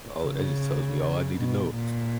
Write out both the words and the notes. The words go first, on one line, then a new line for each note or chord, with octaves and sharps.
Oh, that just tells me all I need to know.
C#3
B2
A#2